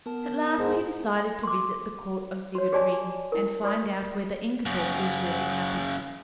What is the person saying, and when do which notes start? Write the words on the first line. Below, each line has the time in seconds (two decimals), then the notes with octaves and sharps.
At last he decided to visit the court of Sigurd Ring and find out whether Ingeborg was really happy.
0.06 B3 A#4 A5
0.59 G#2
1.43 C6 D6
2.55 F#4 C#5
2.72 G4 G#4 C#5 D5 G#5 A5
3.32 E4 A#4
3.63 G4 D5 B5 D#6
4.66 F#2 C#3